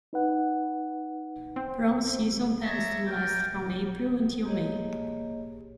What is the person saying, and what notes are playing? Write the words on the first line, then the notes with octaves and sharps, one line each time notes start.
Prom season tends to last from April until May.
D#4 B4 F#5
C4
C#5 D5 E5 A#5
A#4 D5 G5
A#3 G4 G#4 C#5 D#5